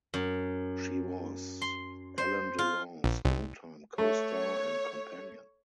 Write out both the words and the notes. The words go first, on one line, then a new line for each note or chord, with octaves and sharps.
She was Alain Delon's longtime co-star and companion.
F#2
C6
C5
F4
A#1
C2
A3 C#5